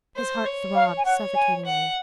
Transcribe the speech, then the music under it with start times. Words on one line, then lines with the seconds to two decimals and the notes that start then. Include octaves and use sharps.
His heart throbbed suffocatingly.
0.16 C5
0.45 C#5
0.75 F5
0.98 G#5
1.05 C#5 F#5
1.35 G#5
1.65 F#5